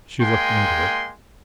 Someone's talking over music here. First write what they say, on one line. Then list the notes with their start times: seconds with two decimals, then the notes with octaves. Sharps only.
She looked into it.
0.21 G#3 A#3 G5 G#5 C6